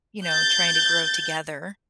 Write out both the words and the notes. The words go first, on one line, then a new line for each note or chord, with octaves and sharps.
you know, trying to grow together,
G6 A6